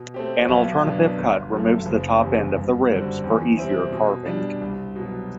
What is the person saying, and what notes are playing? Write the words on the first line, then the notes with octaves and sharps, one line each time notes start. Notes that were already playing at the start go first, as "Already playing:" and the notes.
An alternative cut removes the top end of the ribs for easier carving.
Already playing: B2
A3 C4 G4
B1
B2 F#3 B3 D4
G1
F#2 F#3 A3
F#1
E2 C3
G2
D3 G3 C4 F#4
E2
C3 G3 C4 E4
B2
G3 D4
C2
B2 F#3